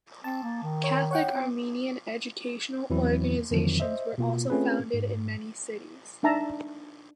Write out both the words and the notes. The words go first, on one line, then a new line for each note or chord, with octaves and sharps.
Catholic Armenian educational organizations were also founded in many cities.
C4 A5
A#3
D#3
C#5
C#5 F#5 G5
C4
E2 E3 F#3 C4 E4
F2 D3 D#3 F3 F#3
C5 D#5 E5
B2 A#3 F4
A3 C4 C#4 F4 G#4 B4
G#2
D4 D#4 E5 A5 A#5